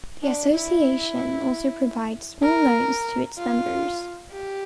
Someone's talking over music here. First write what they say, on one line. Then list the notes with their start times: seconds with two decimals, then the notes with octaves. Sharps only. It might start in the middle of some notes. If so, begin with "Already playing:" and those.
The association also provides small loans to its members.
0.23 D4
0.55 E4
2.43 A#4
3.38 F4
4.32 G4